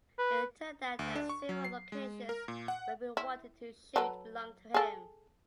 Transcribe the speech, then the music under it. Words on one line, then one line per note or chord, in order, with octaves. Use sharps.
It turned out that several locations where we wanted to shoot belonged to him.
B4
D2
D4
C#6
F#3
C7
G#3
A#4
A#2
F#5
E4
F#3 A4 B4
G#4 A4